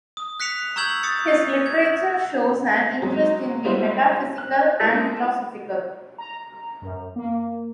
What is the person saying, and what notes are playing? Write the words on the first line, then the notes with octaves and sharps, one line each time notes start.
His literature shows an interest in the metaphysical and philosophical.
D#6
F#6 B6 C#7 F7
A#5 C#6 E6 G6 G#6 F#7
D#6 A6 C#7
G#6
F#3 G#3
G3 G#3 C4 E4 F#4 C5
F#6
G#3 A#3 E4 F4 G#4 A4
A#5
F#2
A#3